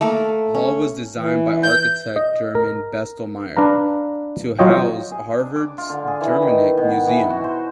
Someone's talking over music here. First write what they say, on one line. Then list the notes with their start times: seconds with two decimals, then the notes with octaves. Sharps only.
The hall was designed by architect German Bestelmeyer to house Harvard's Germanic Museum.
0.01 A3 A#3 A4
0.55 C#4
1.16 E3
1.63 G6
2.16 D#5
2.55 A#4
3.57 D4 B4 F5 A#5
4.59 F#3 F4 C#5 D#5 G5
5.11 G#4
5.39 D4
5.56 D6
5.78 F4
5.89 D3
6.07 G#4
6.21 E3
6.42 D#3
6.77 B2
7.07 E3
7.30 F#4
7.44 C5